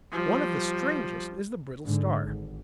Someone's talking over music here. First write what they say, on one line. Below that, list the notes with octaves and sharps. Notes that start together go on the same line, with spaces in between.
One of the strangest is the Brittle Star.
F3 G3
G#2 D3
G#1